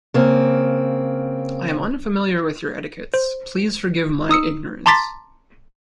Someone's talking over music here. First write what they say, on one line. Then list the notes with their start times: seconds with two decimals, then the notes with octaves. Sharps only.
I am unfamiliar with your etiquettes, please forgive my ignorance.
0.14 C#3 A#3 C4
3.14 C5
4.29 D#4 D#6 E6 C#7
4.86 A5 A#5 C6 D6 A6 B6